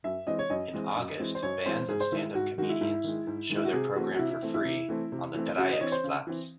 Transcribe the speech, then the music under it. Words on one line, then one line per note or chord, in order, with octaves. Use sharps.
In August bands and stand-up comedians show their program for free on the Dreiecksplatz.
F#2 E5
E3 G#3 C4 D#5
C#5
F#2 D#5
E3 G#3 C4
F#2
E3 G#3 C4
C5
F#2 C#5
E3 G#3 C4 C5
G#2 G#4
C5
D#3 G#3 E4
G#2 F#4
D#3 G#3 F#4
E4
G#2 E4
D#3 G#3
G#2
D#3 G#3
E4
F#4
C3 G#4
E3 A3 C4 F#4
F#4
C3 E4
E4
E3 A3 C4
E4
C3
E3 A3 C4
C3
E3 A3 C4
C#3 F#4
D#5
E3 C4 C#5
C5
C#3
E3 C4